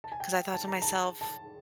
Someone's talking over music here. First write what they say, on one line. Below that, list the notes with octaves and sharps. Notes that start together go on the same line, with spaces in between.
'cause I thought to myself,
A5
G#5
G5
A5
A#5
A5
A5